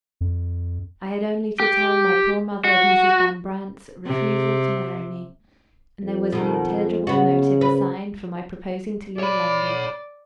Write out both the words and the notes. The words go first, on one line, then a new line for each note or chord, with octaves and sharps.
I had only to tell my poor mother of Mrs. Van Brandt's refusal to marry me, and there was an intelligible motive assigned for my proposing to leave London.
F2
G4
F#4
C3
F2
B2 D#3
C#3 B3 F#4
B4
C#5 D5 B5